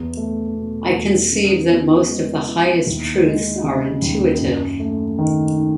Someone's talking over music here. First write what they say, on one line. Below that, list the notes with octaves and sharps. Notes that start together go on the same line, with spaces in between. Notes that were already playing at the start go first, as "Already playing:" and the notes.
I conceive that most of the highest truths are intuitive.
Already playing: E2
A3
B2
E2
C#3
B3
G#3
E4
D#2
G#3
C#3
D#2
F#2
A3
D#3
D#4